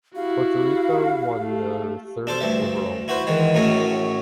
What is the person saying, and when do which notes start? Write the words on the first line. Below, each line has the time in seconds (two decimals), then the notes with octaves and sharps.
Puerto Rico won their third overall title.
0.16 E4 F#4 G4 F5
1.40 A3
2.27 D4 A4 C5
2.40 D2 G2 E5
3.08 E4 F#4 B4 C5
3.27 D#3 E3 G#3
3.54 F#2 A2 F#3 A3 C#4 G#4